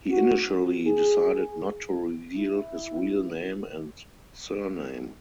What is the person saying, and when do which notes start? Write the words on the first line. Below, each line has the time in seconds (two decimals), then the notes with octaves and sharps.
He initially decided not to reveal his real name and surname.
0.11 F#4
0.87 G#4
2.37 E4